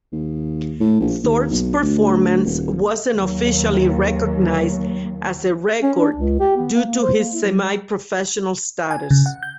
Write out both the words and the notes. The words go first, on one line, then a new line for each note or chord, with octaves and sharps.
Thorpe's performance wasn't officially recognized as a record due to his semi-professional status.
D#2
A2
A#1
D#2
B1
D2
D#1
D#2 F#3
C#4
D4
C#2
G4
B3
A#3
A#3
C5
A#3
E4
F#3
G3
G#5
C#3
F#5
G6